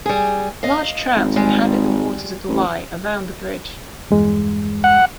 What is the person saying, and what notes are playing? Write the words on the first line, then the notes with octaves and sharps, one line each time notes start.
Large trout inhabit the waters of the Wye around the bridge.
G3 G#4
D#5 F5
G#1
G3 G#3
A1
E2 G2 G#3
F#5